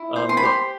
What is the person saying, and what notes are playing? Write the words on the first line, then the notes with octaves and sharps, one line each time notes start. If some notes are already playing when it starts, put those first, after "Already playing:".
um, but
Already playing: E4
C5
C6
B5
G4 C6